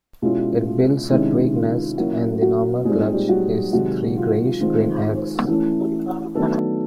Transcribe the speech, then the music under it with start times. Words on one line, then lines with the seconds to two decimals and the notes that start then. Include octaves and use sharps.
It builds a twig nest and the normal clutch is three greyish-green eggs.
0.22 B2 G#3 C#4 E4 F4
0.66 F4
1.10 C3 D#3 G#3 C#4 E4
1.54 F4
1.98 F#3 A#3 C#4 E4 F#4
2.42 F#3 F#4
2.85 A#2 G3 G#3 C4 D#4 G#4
3.00 G3 G4
3.14 G3 G4
3.29 F#3 F#4
3.73 C3 D#3 F#3 G#3 F#4
4.17 F4
4.39 F4
4.61 D#3 G#3 C4 F4
5.48 E3 A3 C#4 E4
6.35 D#3 F#3 A3 B3 D4 A4